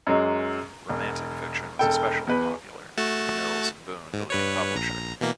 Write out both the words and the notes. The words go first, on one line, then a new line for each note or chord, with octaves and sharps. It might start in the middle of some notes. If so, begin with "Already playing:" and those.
Romantic fiction was especially popular, with Mills and Boon the leading publisher.
F#2 F#3 G#3
E1
E1 A4 G5
E2 B4
A3 F#4 A5
G#2
G2 B4 C#5
A#1 A#5
B2 E3 A#3